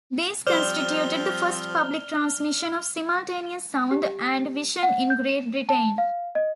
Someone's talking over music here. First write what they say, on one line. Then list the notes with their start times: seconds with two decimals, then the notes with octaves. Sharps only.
These constituted the first public transmission of simultaneous sound and vision in Great Britain.
0.47 F3 G3 C4 C5 D5 F6 F7 G7
3.91 G4
4.83 F#5
5.10 G6
5.29 E7
5.69 A5
5.98 F5
6.35 D#5